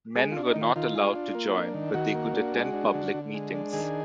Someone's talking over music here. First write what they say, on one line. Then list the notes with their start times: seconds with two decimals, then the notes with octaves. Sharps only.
Men were not allowed to join but they could attend public meetings.
0.15 G#3 G#4
0.31 D4 F4
0.46 D#4
0.56 D#3
0.61 F4
0.76 D#3 F4
0.95 G#3
1.15 D4
1.35 A#3
1.54 D4
1.74 D#3
1.94 D#3 F#4
2.15 A#3
2.34 D4
2.54 G#3
2.73 D4
2.94 D3
3.14 D3
3.34 G#3
3.54 D4
3.73 D#3 G#4